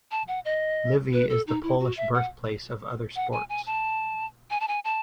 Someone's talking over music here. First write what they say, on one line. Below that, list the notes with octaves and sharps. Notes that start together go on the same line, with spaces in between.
Lviv is the Polish birthplace of other sports.
A5
F#5
D#5
B4
A4
D#4
E4
F#4
E5
F#5
F#5
G#5
G#5
A5
G#5
A5
G#5
A5